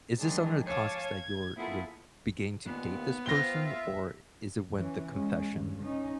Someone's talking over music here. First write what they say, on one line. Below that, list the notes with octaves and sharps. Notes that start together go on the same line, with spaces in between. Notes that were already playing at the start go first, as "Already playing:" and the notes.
is this under the context that you're you're beginning to date this person or is it when the confession
D#3 F3 G#3 D4 G#4
C#5 F5 G#5 A5 D6
G#6
A#3 B3 E4 F4 G#4 A4
D#2 A#2 B3
C4 F4 A#6 G7
E5
E3 C#4
G#3 C#4
G2 C#3
C#4 D#4